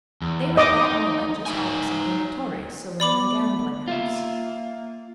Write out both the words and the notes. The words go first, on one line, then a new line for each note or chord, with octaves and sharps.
They were at that moment just opposite a notorious saloon and gambling house.
E2
D#4 D#5 D6
D#4 E5 G#5
B3 D5 B5 D6
A#3 F4 E5